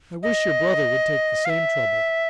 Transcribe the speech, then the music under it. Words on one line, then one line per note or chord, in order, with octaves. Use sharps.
I wish your brother would take the same trouble.
D#5
F5
E5